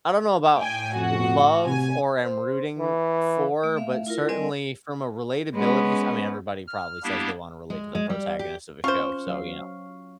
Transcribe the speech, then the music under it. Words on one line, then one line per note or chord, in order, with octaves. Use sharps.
I don't know about love or am rooting for, but certainly from a relatability s I mean, everybody probably says they wanna relate to the protagonist of a show, so, you know,
A2 G5 G#5
F2 F#4
C3 G#5
C5
E3
A3
A3 E5 F5
E4 F4 A#4
G3 C4 A#4 D5 D#5 G#5
G#3 B3 C#4
F6
G3 A#3 B3 D4 E4 G4
G#3
G#3
G3
G4
C#4 F4 C5 C#6 F6
F#3 F5